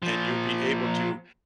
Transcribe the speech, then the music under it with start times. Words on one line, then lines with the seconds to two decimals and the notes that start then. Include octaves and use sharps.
and you'll be able to
0.03 A#2 F3